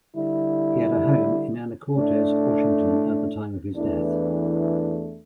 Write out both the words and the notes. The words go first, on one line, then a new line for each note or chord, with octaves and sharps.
He had a home in Anacortes, Washington, at the time of his death.
D3 G3 E4
A2 A3 D4
E2 E3 A3 D4